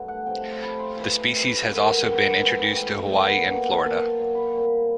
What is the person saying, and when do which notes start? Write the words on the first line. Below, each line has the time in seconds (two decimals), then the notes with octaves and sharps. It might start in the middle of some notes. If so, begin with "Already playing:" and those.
The species has also been introduced to Hawaii and Florida.
Already playing: G2 D3 F#3 A3 B3
0.08 F#5
0.26 C3 F3 A3 C4 G5
0.61 C3 F3 A3 C4 B5
0.79 C6
0.96 C3 E3 A3 B5
1.33 C3 E3 A3
1.68 G#2 D#3 G#3 B3 G#5
2.04 G#2 D#3 G#3 B3 G5
2.21 G#5
2.40 G#2 E3 A3 G5
2.51 G#5
2.63 G5
2.75 G#2 E3 A3 G5
3.10 A#2 F#3 B3 G#5
3.46 A#2 F#3 B3 G5
3.64 G5
3.81 D#3 F#3 A#3 A5
4.17 D#3 F#3 A#3
4.35 B5
4.53 A#2 G3 C4